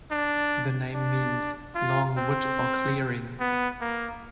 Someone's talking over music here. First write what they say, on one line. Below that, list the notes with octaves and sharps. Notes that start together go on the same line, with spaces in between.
The name means 'long wood or clearing'.
D4
D4
F4
C4
B3
A#3